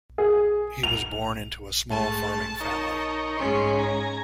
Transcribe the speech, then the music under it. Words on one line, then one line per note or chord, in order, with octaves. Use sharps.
He was born into a small farming family.
G#4
F7
G#2 A3 A5
D#4 A#4 C#5
G#2 C#3 C#4 C#5 C6
G#5 A#5